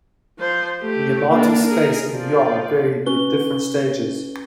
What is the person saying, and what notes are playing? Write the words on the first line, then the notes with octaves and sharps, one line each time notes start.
The amount of space in the yard varied with different stages.
F3 C5
A3 G4
A#3 D4
G#4 A#4
F3 D5
C#4 F#4 B4 G7